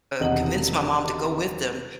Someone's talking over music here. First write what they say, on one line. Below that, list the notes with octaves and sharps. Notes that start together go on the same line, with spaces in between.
uh, convince my mom to go with them,
E1 D#2 C3 D#5 F#5 F#7